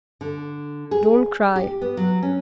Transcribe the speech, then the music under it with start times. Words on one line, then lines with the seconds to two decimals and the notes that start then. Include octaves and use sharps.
Don't cry.
0.21 D3
0.91 G#4
1.56 G4
1.82 B3
1.97 F#3
2.23 C#4